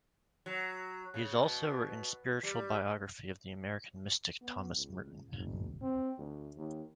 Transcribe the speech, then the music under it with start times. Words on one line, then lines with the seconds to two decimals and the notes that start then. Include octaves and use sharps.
He has also written spiritual biography of the American mystic Thomas Merton.
0.46 F#3
1.14 C#3
1.43 B2
2.43 G3
4.42 B3
4.76 C#2
5.35 F#1
5.81 C4
6.18 D2
6.56 D#2